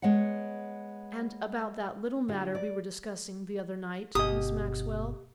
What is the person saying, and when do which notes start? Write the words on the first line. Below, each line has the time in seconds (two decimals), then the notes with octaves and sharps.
And about that little matter we were discussing the other night, Miss Maxwell.
0.02 G#3 B3 C#5 F#5
2.28 D3 F4 G4
2.55 D5
4.15 G1 B2 G4 D#5 D#6